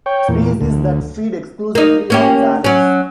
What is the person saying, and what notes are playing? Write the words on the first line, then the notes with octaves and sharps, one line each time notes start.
Species that feed exclusively on "Salix".
C#5 G5
E2 A#2
D2
A#3 D#4
A#3 C#4 G4
F#3 C#4